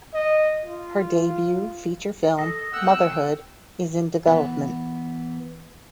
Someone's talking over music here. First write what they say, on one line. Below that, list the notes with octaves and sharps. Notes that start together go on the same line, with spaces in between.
Her debut feature film "Motherhood" is in development.
D#5
F4
A4 D#5
A3 C4 F#5 G5 E6
E3 B3